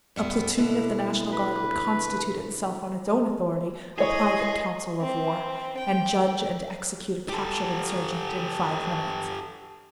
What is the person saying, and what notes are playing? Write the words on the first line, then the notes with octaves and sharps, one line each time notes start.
A platoon of the National Guard would constitute itself on its own authority a private council of war, and judge and execute a captured insurgent in five minutes.
G2 G3 B3
B2 D3 E4
B4
E4 G#4 C#5 D#5 C#6
C4
G5
G4 A4